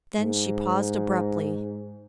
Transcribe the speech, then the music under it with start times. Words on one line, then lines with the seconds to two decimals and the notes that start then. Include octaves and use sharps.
Then she paused abruptly.
0.19 G#2